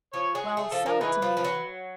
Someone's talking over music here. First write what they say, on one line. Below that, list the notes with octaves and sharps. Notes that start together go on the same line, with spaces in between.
"Well, sell it to me, then."
F3 C#5
F#3 G#4
A3 G#4
F3 A4
F3 A#4
E3 D#4 G#4 B4
F3
F3
F#3